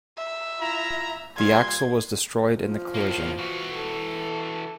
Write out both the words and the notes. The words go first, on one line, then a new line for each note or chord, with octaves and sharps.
The axle was destroyed in the collision.
E5
E4 F4 A#5
A#2 G3 C6 G#6
F3
A2 A#3
E3 F#4
A4